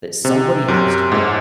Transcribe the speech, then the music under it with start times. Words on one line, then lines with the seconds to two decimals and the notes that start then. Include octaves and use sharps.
that somebody has to do it.
0.25 C3
0.68 F#2
1.12 G#2